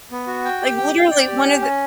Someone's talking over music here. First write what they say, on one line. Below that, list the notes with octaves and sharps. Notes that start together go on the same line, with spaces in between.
Like, literally one of the
B3
F#4
G5
G4
G5
G5
D5
G4
C#4
C#4